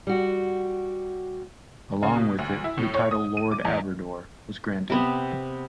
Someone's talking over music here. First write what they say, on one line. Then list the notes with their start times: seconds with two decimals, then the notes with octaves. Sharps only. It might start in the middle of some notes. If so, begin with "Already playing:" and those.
Along with it, the title Lord Aberdour was granted.
0.07 G3 F#4
2.03 C#3
2.16 B2
2.39 D2
2.64 E4
2.78 A2
2.95 C#5
3.11 D#6
3.37 D#7
3.52 D6
3.65 E2
4.90 C3 B3